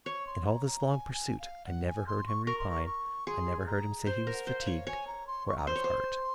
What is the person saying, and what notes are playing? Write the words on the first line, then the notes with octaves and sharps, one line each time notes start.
In all this long pursuit, I never heard him repine; I never heard him say he was fatigued, or out of heart.
C#5 C#6
C6
A#5
A#5
G#5
G#5
F5
F#5
G#5
C6
C#6
A#4 C#6
C6
C#6
C#6
G#4 C6
G#5
A#5
C5
A#4
F#5
C5
F5
C#5
C#5 G#5
A#5
C6
C#6
A#5
C5 C6
C#5
C5